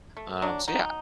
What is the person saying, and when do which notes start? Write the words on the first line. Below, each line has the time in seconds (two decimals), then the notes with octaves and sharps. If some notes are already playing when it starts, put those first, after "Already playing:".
Um, so yeah.
0.17 A3
0.42 F#3 D4
0.68 F#3 D#4